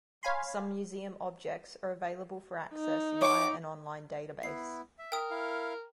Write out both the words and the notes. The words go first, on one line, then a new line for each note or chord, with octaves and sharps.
Some museum objects are available for access via an online database.
C#5 F5 G#5 B5 C6
D#4
C#5 D6
B3 E4 C7
E5
A#4 G5 D#6
E4 F5